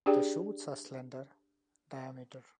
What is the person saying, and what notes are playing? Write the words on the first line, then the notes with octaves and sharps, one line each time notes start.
The shoots are slender, diameter.
D4 G4 G#4 D5 G5